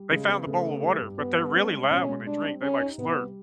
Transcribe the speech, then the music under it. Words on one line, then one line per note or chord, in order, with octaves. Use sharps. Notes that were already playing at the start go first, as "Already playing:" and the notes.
they found the bowl of water but they're really loud when they drink, they, like, slurp.
Already playing: G3
C#3 G#3
B3
C#3 A3
B3
G3
G2
G3 B3
G3
C#4
G#3
B2 C#4
G#3
G3 D4
C4
C#4 G4
D#4
C3 B3
G3